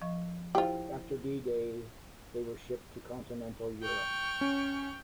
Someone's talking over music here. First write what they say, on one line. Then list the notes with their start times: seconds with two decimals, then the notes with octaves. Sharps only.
After D-Day, they were shipped to Continental Europe.
0.02 F3 D#5 C#6
0.55 E4 F4 G4 C5
3.81 G5 C#6 F6
4.41 C#4